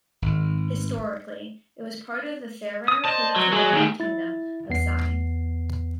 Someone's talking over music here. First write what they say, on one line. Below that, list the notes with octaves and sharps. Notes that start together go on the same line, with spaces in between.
Historically, it was part of the Serer pre-colonial Kingdom of Sine.
G#1
D#6
C5 D5 D#5 A5
F#3
F#3 G#3 G#4
D#2 D#3
E4 A6
E2 B3 C7